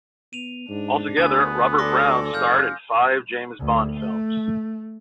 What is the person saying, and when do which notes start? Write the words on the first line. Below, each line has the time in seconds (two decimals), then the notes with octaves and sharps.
Altogether, Robert Brown starred in five James Bond films.
0.33 B3 D#7 F7
0.69 G#2 D4
1.17 D2 B3 G#5 G#6
1.78 A4 D5 C6 D6 A#6
2.34 F#1 F5 E6 G6
3.60 D2
3.99 A3